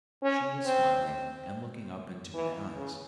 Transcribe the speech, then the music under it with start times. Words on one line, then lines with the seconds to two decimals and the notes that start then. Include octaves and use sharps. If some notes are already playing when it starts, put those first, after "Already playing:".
She was smiling, and looking up into my eyes.
0.23 C#4
0.65 C4
2.34 E3
2.76 C#3